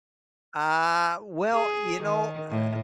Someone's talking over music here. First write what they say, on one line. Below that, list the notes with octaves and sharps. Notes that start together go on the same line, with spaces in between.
Uh, well, you know, eh
G#4
D#3
A2